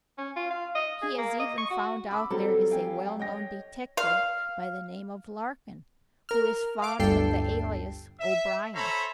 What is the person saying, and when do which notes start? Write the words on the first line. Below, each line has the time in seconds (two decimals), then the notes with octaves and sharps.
He has even found out there is a well-known detective by the name of Larkin who is fond of the alias O'Brien.
0.18 C#4
0.36 F4
0.50 F5
0.75 D#5
1.02 G#4
1.18 A#3
1.40 D#5
1.58 C#6
1.70 F#4
2.11 B5 D6 E6
2.30 F#3 G3 C4 A4
2.71 F5 G5 G#5
3.19 C#5 D#5 G5 A#6
3.97 F5
6.29 A#4 F6
6.82 F5 D6
7.00 G1 D2 G2 A4 G5 C7
8.19 E5
8.74 A4 C5 C#5 E5 A#5 B5